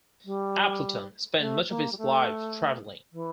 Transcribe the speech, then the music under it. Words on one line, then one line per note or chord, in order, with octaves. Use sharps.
Appleton spent much of his life traveling.
G3
A3
A#3
G3
A3
E3